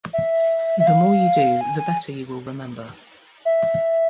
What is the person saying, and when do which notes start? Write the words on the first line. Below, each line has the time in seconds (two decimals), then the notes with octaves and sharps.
The more you do, the better you will remember.
0.13 E5
0.80 E5
0.87 F5
1.61 G#5
1.79 G#5
3.45 E5